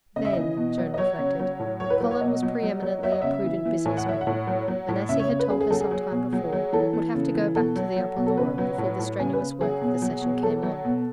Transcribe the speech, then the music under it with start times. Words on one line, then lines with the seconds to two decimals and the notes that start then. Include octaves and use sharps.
Then, Joan reflected, Colin was pre-eminently a prudent business man, and, as he had told her some time before, would have to go back to the Upper Leura before the strenuous work of the Session came on.
0.16 C#3 D#5
0.25 E5
0.33 E3 D#5
0.57 B2
0.77 F#3
0.94 D#5
0.98 F#3 C#5
1.19 C#3
1.39 F#3
1.60 A2
1.80 F#3 C#5
1.90 B4
2.01 F#3 B4
2.11 C#5
2.21 B2 D#5
2.42 F#3
2.63 F#3
2.82 F#3
3.03 F#3 E5
3.12 D#5
3.22 C#3 E5
3.44 E3
3.65 E3
3.86 A2 G#5
3.97 F#5
4.06 F#3 E5
4.21 F#5
4.27 A2
4.47 F#3
4.68 F#3
4.88 A2
5.09 C#3 E5
5.19 C#5
5.29 C#3 C#5
5.39 B4
5.50 C#3 G#4
5.61 G#4
5.70 F#3 A4
5.81 G#4
5.91 F#3
6.11 B2
6.33 F#3
6.52 F#3
6.73 E3 A4
6.93 E3
7.15 C#3
7.35 E3
7.55 B2 A4
7.76 F#3
7.96 F#3
8.17 B2
8.27 A4
8.37 C#3 B4
8.58 F#3
8.78 A2
8.99 A2
9.19 C#3 G#5
9.33 B4
9.40 C#3
9.61 F#3 G#4
9.81 B2
10.02 F#3
10.22 B2
10.43 F#3 A4
10.63 F#3
10.84 B2